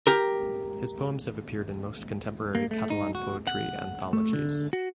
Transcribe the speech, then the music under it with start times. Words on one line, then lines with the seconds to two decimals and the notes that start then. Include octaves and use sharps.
His poems have appeared in most contemporary Catalan poetry anthologies.
0.07 G4 A#4
2.55 A#3
2.71 A3
2.90 D#4
3.15 F#4
3.47 F#5
4.13 A3
4.33 D3
4.73 F#4